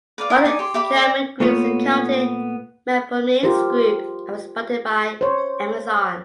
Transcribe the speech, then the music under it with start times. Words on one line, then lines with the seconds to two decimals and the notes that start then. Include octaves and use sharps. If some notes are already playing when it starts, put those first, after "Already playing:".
One of the German groups encountered "Melpomene"s group and was spotted by "Amazon".
0.18 B4 D5 F5
0.30 E4 G#5 A#5
0.45 D#4 D5 G#5
0.59 G4 C6
0.74 G4 E5 B5 D6
0.95 D5 E5 G5
1.40 A#2 A3 B3 F4 C#5
3.43 F4 G4 A#4 C5
5.21 C5 C#5